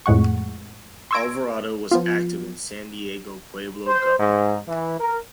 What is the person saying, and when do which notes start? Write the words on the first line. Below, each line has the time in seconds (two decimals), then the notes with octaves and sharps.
Alvarado was active in San Diego Pueblo government.
0.06 F2 A2 G#3 F#5 C#6
1.11 C6 C#6 E6 G#6 A#6 D7
1.91 F3 B3 F4
3.86 C5
4.19 G#2
4.68 E3
4.99 A#4